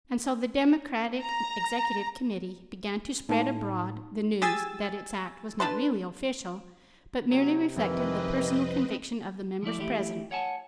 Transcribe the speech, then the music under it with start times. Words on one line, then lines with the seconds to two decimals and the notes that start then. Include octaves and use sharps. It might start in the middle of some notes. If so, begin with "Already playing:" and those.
And so the Democratic Executive Committee began to spread abroad the news that its act was not really official, but merely reflected the "personal conviction" of the members present.
1.21 A#5
3.29 A2 D#4 F#4 A5
4.42 G4 G#4 G#5 E6 A6
5.60 D4 B4 A5 C6
7.30 C3 F#3
7.76 C2 F2 D#3 E3 C4 E4 B4 D#5
9.63 F3 A3 E4 D5
9.80 E3 A3 E4 G4
10.31 C#5 F#5 G#5 A5